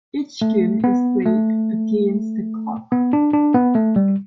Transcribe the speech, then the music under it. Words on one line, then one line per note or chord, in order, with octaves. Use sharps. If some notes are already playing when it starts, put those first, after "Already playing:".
Each game is played against the clock.
A3
B3
A3
B3
D4
D4
B3
A3
G3